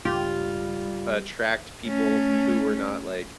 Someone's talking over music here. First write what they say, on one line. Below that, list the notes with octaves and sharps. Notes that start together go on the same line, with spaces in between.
attract people who were not, like,
C#2 G2 G3 F4 G4
A3 C#4